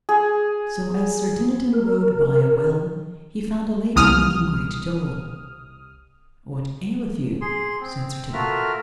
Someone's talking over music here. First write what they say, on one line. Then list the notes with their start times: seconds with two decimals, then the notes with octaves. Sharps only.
SO as Sir Dinadan rode by a well he found a lady making great dole. What aileth you? said Sir Dinadan.
0.09 G#4
1.73 A#4
3.96 C2 D#6 F6
7.41 G#4 C6
7.80 C4
8.33 A3 F4 F#4 A#4 E5 F6